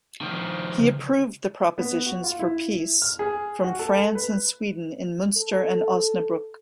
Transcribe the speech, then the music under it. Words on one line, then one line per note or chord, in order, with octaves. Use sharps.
He approved the propositions for peace from France and Sweden in Munster and Osnabruck.
D#3 F3
C#3
B3
F#4
F4
E4
F6
G#4
F#4
A4
B4
A4